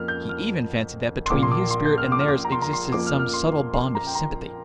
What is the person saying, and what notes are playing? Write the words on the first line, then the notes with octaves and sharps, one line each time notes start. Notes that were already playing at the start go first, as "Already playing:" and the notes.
He even fancied that between his spirit and theirs existed some subtle bond of sympathy.
Already playing: F2 F3 A#3 F6
G6
F6
C6
A#1 A#2 A#3 D6
C6
D6
C6
G6
F6
D6
F6
D6
A#5
C6
A#5
C6
F2 F3 A#3 D6
F6
F6
C6
C6
A#5
G5
A#5